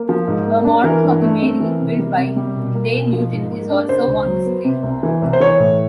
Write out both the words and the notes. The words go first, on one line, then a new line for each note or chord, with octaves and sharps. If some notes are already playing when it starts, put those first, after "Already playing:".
A model of the "Mary", built by Des Newton is also on display.
Already playing: A#3
F3
G#2
A#3
D4
E3 A#4
G2
A3
C4
E3
C3
G3
C3
G3
B2
A#3
B2
F3
G#2
A#3
D4
C#3 C5
C#2
F#3
B3
C3
C2
E3
C2
C5
E3 C#5
A2